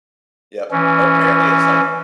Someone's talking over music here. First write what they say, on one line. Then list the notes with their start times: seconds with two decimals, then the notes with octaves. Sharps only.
Yep. And apparently, it's like
0.71 E3 C#4